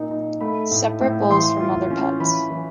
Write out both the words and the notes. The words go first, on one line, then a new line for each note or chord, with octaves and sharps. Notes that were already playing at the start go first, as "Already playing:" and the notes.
Separate bowls from other pets.
Already playing: A#2 D#4
D#4
A3 B5
A2
A2
E3 C6
F4
C#4
E3 B5
E3